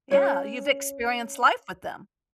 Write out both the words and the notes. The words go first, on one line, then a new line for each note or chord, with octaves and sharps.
Yeah, you've experienced life with them.
C#4 D#4 C#5